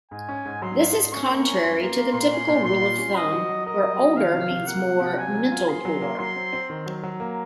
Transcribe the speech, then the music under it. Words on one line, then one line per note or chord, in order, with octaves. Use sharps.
This is contrary to the typical rule-of-thumb where older means more metal-poor.
G#2 G#5
C#4
G#2
F#3 C6
G#2
G#2
C#4 C#6
A#3
C#4
F#2 C6
A#3
A#3
A#2 C6
C#4
A#2
A#2 C6
F4
C#4
C4 D#5
F#4
F#3
A#4 D#5
F#3
F#4
D#3 F5
C3
C3
A#3 F#5
A#3
C3
F#3 G#5
F#3
F4
G#4 C6
F#3
A#3
F#3 C6
C4
C4
D#3
F#3
F#3
A#3